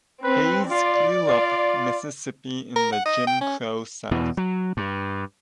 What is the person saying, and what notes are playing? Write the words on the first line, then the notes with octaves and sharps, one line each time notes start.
Hayes grew up Mississippi in the Jim Crow south.
C4 B4
F4 D5
F4
A#4
F#5
D#5
G5
C#4
E2 B2 E3
F#3
G2